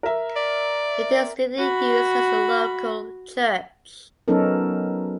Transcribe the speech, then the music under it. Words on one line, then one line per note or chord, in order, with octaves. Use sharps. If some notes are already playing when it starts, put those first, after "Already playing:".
It is still in use as the local church.
A#4 E5
D5
F#4 B5
F#3 B3 C#4 D#4 A4 A#4